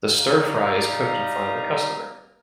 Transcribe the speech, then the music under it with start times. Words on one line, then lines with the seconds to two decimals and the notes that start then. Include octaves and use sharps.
The stir fry is cooked in front of the customer.
0.16 G3 D#4 F5 A#5